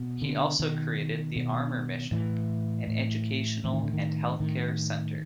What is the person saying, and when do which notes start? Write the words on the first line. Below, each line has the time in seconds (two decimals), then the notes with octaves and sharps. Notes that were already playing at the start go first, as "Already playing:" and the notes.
He also created the Armour Mission, an educational and healthcare center.
Already playing: B2
0.22 D3
0.59 B2 D#3
1.36 B2
2.11 A2 E3
2.87 A2
3.64 A2 E3
3.73 D#3
3.83 D3
3.93 D#3
4.40 A2 D#3